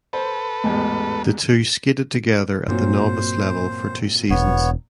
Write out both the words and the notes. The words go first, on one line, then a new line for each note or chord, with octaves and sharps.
The two skated together at the novice level for two seasons.
A4 B4 C5
A1 E2 G#2
G2 A#2 F#3 A#3 C4 C5
E1 B3 C#5